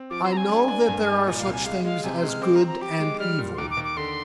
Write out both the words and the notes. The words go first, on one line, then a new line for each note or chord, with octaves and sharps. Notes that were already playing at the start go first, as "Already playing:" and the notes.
I know that there are such things as good and evil.
Already playing: C4
F3 D6
C6
C4 A#5
G#5
D4
D4
G2
D#4
A#2 G#5
F5
C2
G#5
G#3 F5
G#3 F5
C3 G#5
C6
G#3
F6
C4 D6
A#5
C4
A#5
G4 D6
G#3
G3 F6
A#2
C6
D#2 D6
D6
D#2
D6
D3 C6